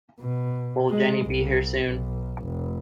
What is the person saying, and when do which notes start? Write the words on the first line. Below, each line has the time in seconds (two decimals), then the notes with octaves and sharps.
Will Jenny be here soon?
0.20 B2
0.90 G#3
1.25 C2
1.85 B1
2.44 F1